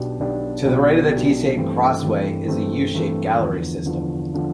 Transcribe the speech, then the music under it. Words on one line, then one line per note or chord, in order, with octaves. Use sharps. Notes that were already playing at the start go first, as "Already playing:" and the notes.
To the right of the T-shaped crossway is a U-shaped gallery system.
Already playing: B1 B2 B3 D4 G4
B1 B2 B3 D4 G4
B1 B2 B3 D4 G4
B1 B2 B3 D4 G4
G2 E3 A3 C4
G2 E3 A3 C4
G2 E3 A3 C4
G2 E3 A3 C4
E2 D3 F3
E2 D3 F3
D3 F3